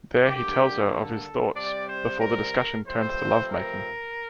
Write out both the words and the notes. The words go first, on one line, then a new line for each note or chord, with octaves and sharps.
There he tells her of his thoughts, before the discussion turns to love-making.
D3 G3 A#3 G4
A4
C3 G3 C4 D5
C5
A#4
G2 F3 A3 C4 C5
A#4